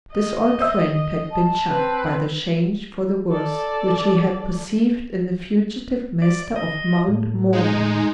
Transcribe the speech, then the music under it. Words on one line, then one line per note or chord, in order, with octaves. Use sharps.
This old friend had been shocked by the change for the worse which he had perceived in the fugitive master of Mount Morven.
D#5
C5 E5
A5
C4 B4
A4 D5
D5
D#5
A2
G#3 D#4